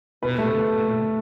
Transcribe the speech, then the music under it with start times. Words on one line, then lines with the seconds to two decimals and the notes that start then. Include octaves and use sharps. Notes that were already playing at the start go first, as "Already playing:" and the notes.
Mhm, mhm.
0.23 B4
0.38 A3